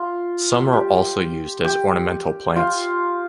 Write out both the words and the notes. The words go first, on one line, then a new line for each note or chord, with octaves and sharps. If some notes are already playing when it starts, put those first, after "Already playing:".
Some are also used as ornamental plants.
Already playing: F4
G4
G4
F4